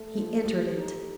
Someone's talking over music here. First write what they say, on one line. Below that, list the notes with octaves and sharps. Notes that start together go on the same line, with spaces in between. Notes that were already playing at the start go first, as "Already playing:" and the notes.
He entered it.
Already playing: A3 A4
F3
G4
D#4